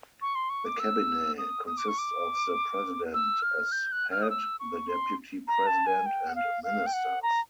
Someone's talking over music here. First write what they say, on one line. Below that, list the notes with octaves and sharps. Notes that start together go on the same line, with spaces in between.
The Cabinet consists of the President, as head, the Deputy President and ministers.
C#6
C6
C#6
D6
E6
D#6
D#6
D6
C#6
D6
E6
F6
G6
F#6
F6
D#6
E6
C#6
C6
A#5
A5
G#5
G5
F#5
F5
F5
G5
F#5
A#5